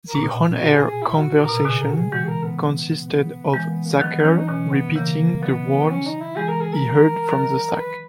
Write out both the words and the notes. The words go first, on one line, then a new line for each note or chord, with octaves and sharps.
The on-air conversation consisted of Zacherle repeating the words he heard from the sack.
A#4
A#2
B2
F#4
G#4
G#4
E4
F#4
A#2 A#4
B2
C#3
B2 D#3 G#4
A#4
F#4
G#4
E3 G#3 F#4
G#4
A#4
B3
B3
E3 G#3
A#3
B3
A#3
D#3 F#3 B3
E3
D#3 F#3 C#4
D#4
B2 D#3 C#4
B3
C#3 E3 A#3
D#3 F#3 B3
C#4
D#4
E4
E3 G#3 G#4
A#4
G#4
A#4
D#3 F#3
B4